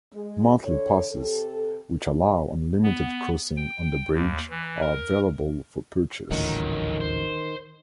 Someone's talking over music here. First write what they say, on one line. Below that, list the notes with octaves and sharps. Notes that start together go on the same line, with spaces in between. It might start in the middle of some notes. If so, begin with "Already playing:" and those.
Monthly passes, which allow unlimited crossing on the bridge, are available for purchase.
G#3
D3 D4 A4 C#5
C3 G4 A4
B3
G5
D#2
E3
A#4
D#1 A1 D2 D#3 F#3 D#4
C5